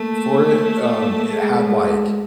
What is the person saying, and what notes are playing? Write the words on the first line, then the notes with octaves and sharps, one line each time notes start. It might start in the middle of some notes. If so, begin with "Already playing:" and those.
for it, um, it had, like
Already playing: A3 A#3
G#3
G#3